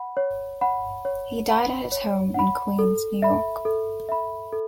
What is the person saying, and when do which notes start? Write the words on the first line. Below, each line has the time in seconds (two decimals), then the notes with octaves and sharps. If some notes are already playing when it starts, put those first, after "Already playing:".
He died at his home in Queens, New York.
Already playing: F#5 B5
0.17 C#5
0.61 F#5 B5
1.05 C#5
1.48 F#5 B5
1.92 C#5
2.34 F#5 B5
2.79 A4
3.22 E5 B5
3.65 A4
4.09 E5 B5
4.52 A4